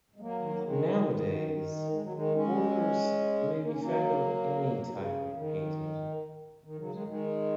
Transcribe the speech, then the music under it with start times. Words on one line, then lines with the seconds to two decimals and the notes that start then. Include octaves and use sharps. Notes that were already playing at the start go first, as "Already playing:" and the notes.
Nowadays, borders may be found on any type of painting.
0.16 G#3
0.20 F#3 A#3
0.39 D#3
0.52 F#3
0.63 D#3 G#3
1.06 D#3
1.49 D#3
1.92 G#3
2.02 F#3
2.13 D#3 G#3
2.35 G#3 C#4
3.63 A#3
3.72 C#4
3.80 F#3 A#3
4.92 C#3
5.35 D#3
6.64 D#3
6.78 C#3 F#3
6.92 D#3 G#3
7.07 D#3 G#3